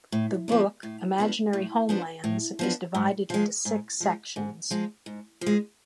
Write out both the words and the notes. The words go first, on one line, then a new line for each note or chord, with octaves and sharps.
The book 'Imaginary Homelands' is divided into six sections.
A2
F3 B3 D4
A2
F3 B3 D4
A2
F3 B3 D4
A2
F3 B3 D4
G#2
F3 G#3
G#2
F3 G#3
G#2
F3 G#3
G#2
F3
G#3